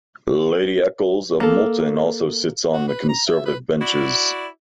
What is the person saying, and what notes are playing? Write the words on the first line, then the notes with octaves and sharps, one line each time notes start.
Lady Eccles of Moulton also sits on the Conservative benches.
A#3 A4
F#4
B4
A#5
E5
B4
E4 F#4 D5